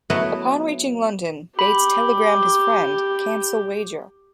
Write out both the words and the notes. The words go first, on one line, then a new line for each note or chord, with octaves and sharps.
Upon reaching London, Bates telegrammed his friend, Cancel wager.
F#3 A3 B3 E4 B4
G4 B5